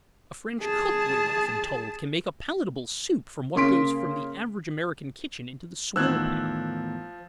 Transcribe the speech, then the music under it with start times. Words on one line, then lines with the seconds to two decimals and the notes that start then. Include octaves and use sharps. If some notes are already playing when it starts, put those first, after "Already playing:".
A French cook, we are often told, can make a palatable soup from what goes from the average American kitchen into the swill-pail.
0.61 G#4 A5
3.55 C#3 A#3 C#4 C6 B6 D7
5.96 E2 A2 D#3 F3 E6 F#6 G#6